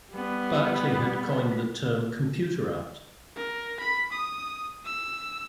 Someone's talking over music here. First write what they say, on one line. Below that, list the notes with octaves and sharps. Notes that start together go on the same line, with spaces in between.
Berkeley had coined the term Computer Art.
G3 B3
A#4
B5
D#6
E6